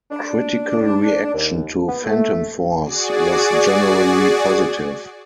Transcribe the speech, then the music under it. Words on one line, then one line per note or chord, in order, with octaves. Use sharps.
Critical reaction to "Phantom Phorce" was generally positive.
D4
D#2
B3
A3
F#4 G#4 D5